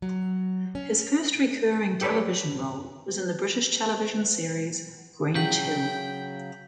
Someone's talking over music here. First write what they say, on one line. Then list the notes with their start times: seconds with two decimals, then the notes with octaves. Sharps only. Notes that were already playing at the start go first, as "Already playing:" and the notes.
His first recurring television role was in the British television series "Grange Hill".
0.02 F#3
0.75 C#4
2.01 G4 A4 B4 C#5 D5
5.35 C#3 F#3 G5 G6 B6 F#7